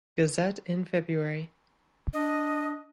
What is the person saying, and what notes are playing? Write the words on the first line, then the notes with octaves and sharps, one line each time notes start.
Gazette in February.
D4 D#5